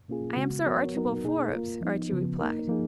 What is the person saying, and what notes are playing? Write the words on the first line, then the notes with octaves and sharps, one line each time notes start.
"I am Sir Archibald Forbes," Archie replied.
B2 A#3 C#4 F4 G#4
C#3 G#3 B3 F#4
F3 B3 F#4 A#4 C#5
F#3 B3 D#4 F#4 A#4
B2 A#3 D#4 G#4
A#3 F4 A#4
F3 B3 D#4
C#3 F3 B3
A#3 D#4 A#4
F3 A#3 D#4 G#4